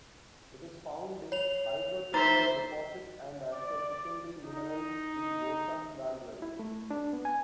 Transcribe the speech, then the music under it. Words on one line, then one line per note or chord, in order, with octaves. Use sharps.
It is found in hydrothermal deposits and as a secondary mineral in gossans worldwide.
C#5 F7
D#4 C5 E5 A#5 A6
D5
D#4
E4
A3
D4
B3
G#5